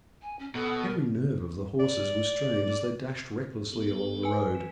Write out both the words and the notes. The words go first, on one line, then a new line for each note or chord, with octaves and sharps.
Every nerve of the horses was strained as they dashed recklessly along the road.
G#5
C#4
B2 A4
A#4
D5
B3 G4 A4
B4 G#5
E3